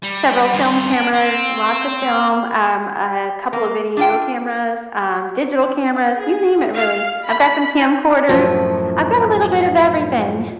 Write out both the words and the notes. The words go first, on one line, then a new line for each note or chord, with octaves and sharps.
several film cameras, lots of film, um, a couple of video cameras, um, digital cameras, you name it, really. I've got some camcorders, I've got a little bit of everything.
G3
G2 F4
D4
C4
A#3
D4 F4 G5
G#4
F5
B5
F#2 A2 F3